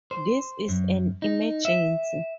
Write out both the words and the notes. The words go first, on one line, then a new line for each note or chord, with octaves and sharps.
This is an emergency!
C5
F#2
D#4
E5